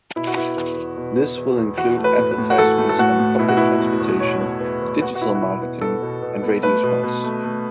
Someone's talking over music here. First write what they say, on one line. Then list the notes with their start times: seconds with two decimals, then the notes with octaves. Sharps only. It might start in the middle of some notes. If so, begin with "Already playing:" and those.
This will include advertisements on public transportation, digital marketing, and radio spots.
0.16 B2 E4
0.27 F#4
0.36 B3 E4
0.56 E2
0.77 E2
0.97 B2
1.17 B3
1.37 E2
1.58 E2
1.78 E3 F#4
1.97 A3
2.04 B4
2.18 A2
2.31 B4
2.38 A2
2.50 F#4
2.58 E3 A4
2.78 A3
2.89 A4
2.98 A2 F#4
3.19 A2
3.39 B2 E4
3.48 F#4
3.57 B3 E4
3.79 E2
4.00 E2
4.20 B2 C#5
4.40 B3
4.60 E2
4.81 E2
5.01 B3 F#4
5.15 F#4
5.21 B2 E4
5.35 F#4
5.41 B2 E4
5.61 B3 E4
5.81 B3 A4
6.02 B2
6.22 B2
6.42 B3
6.63 A3 B4
6.83 B2
7.03 B2
7.24 A3
7.44 A3